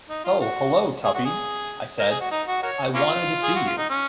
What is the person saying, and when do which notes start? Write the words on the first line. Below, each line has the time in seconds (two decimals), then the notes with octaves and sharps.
"Oh, hullo, Tuppy," I said, "I wanted to see you."
0.09 D#4
0.25 F4
0.41 F#4
1.04 G#4
1.15 F#4
1.25 G#4
1.99 A#4
2.11 G#4
2.21 F#4
2.31 D#4
2.48 F#4
2.63 F#4 A#4 C#5
2.94 A#3 C#4 F4
3.43 G#4
3.55 F#4
3.66 F4
3.78 D#4
3.90 C#4